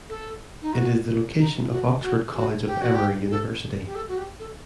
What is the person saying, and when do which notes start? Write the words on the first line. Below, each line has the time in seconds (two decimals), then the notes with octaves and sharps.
It is the location of Oxford College of Emory University.
0.09 A4
0.62 D#4
0.73 F#4
1.37 D#4
1.69 F#4
2.02 F#4
2.35 F#4
2.66 G4
2.81 F#4
2.94 G4
3.30 A4
3.86 G4
3.95 A4
4.08 F#4
4.17 G4
4.39 A4